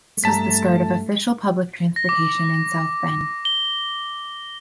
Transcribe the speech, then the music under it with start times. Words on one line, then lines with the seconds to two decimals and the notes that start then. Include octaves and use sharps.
This was the start of official public transportation in South Bend.
0.24 G2 A3 A5 A#5 B6
1.96 A#6
2.09 D6
3.45 G7